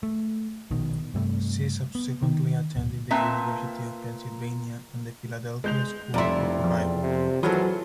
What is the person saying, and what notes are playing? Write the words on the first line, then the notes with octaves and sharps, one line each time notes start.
She subsequently attended the University of Pennsylvania and the Philadelphia School of the Bible.
A3
A#1 B2 D#3
G2 C3 G3 A3
B3
D#3
D1
A#2 C4 B4 E5 A5
G#3 G6 F7
F1 F2 E4 D5 A#5 C6
E2 F3
C3
E3 F#3 F4 G#4 A4 C5